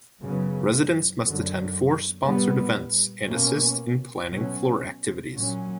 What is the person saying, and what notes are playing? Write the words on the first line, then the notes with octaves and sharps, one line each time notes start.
Residents must attend four sponsored events and assist in planning floor activities.
F#2 C#3 F#3 B3
F#2 D3 F#3
A#2 G3 B3
B2 A#3 C#4
B2 F#3 C#4
A#2 F#3 C#4